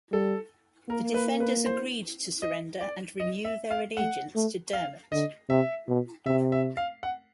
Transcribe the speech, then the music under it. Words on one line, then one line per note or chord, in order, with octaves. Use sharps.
The defenders agreed to surrender and renew their allegiance to Diarmait.
G3 A4
A#3 A#4
B4
B4
C5
D#5
D5
D#5
E5
F5
A3 F#5
A3
F5
D3 D#5
C3 E5
B2
C3 E5
E5
F5
F#5